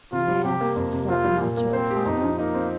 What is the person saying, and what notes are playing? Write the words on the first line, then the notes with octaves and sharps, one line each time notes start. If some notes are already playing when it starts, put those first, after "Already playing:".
"Yes," said the Mud Turtle Father.
C3 F4
G3
C3 G4
A#3
F2
C3
C4 F4
G3
A#2
A#3
C4 C5
G4
F2 D#4
F3
A#3 D#4
C4